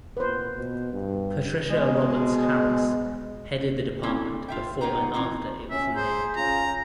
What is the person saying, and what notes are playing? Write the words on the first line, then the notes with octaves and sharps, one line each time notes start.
Patricia Roberts Harris headed the department before and after it was renamed.
A#2 B4 C5
B2
G2
B2 G#3
D3 C4 C#4 E4 A4
F4 E5 G5
A#2 B3 D#4 F4 G5 A#5
E3 F3 C4 D#4
C#4 E5
G#4 C5 A#5
C#4 F4 A#5